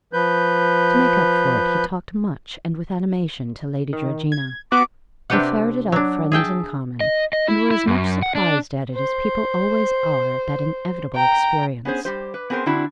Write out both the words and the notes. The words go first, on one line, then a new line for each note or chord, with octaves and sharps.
To make up for it, he talked much, and with animation, to Lady Georgina. They ferreted out friends in common, and were as much surprised at it as people always are at that inevitable experience.
F3 B4 G6
D#3
G#6
B3 F#4 F#5 D6
C3 D4 G4 B4 F#5
F#3 D4
G#4 E5 G5 A5
D#5
D#5
E4
E4
F#2
F#5
D4
C5
G5 A#5
B3 C#4 G#4 C5
G3 G4 C5
B4
B3 C4 G#4 A#4 C5
D3 C4 D4 E4 F#4